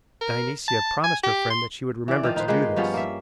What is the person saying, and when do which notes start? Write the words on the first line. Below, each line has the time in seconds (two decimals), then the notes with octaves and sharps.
Dionysia promised her friend that she would remember to do this.
0.21 A#4
0.68 A5
1.04 G#5
1.23 G4
1.50 C6
2.08 E3 D5
2.23 D#3 F3 F4
2.36 D#4 B4 C5
2.48 G#3 A#3 B4 C5
2.76 G2 F3 B3 C#4
2.94 A#3 E5